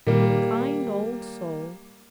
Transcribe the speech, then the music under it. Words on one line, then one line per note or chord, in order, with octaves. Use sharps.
Kind old soul!
A#2 D#3 G3 A#3